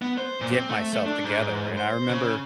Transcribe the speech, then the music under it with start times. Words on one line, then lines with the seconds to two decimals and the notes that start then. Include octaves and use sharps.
get myself together. And I remember,
0.02 B3
0.18 C5
0.41 A#2
0.53 C4
0.69 A3
0.93 A3
1.06 D4
1.24 G#2
1.77 C5
2.09 C#3